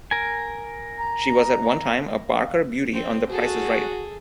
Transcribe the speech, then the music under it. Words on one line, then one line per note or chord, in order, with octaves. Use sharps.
She was at one time a Barker Beauty on "The Price Is Right".
A#4 G#5
A#5
F5
C4
F#4 G#4 A4